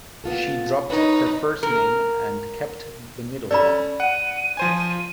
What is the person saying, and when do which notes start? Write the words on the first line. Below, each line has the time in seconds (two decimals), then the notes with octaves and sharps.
She dropped her first name and kept the middle one.
0.24 B3 F4 A4
0.90 D#4 B4 C#5
1.63 A#4
3.51 C#4 A4 D5 B5
4.00 F#5 D#7
4.57 F3 C5 G#5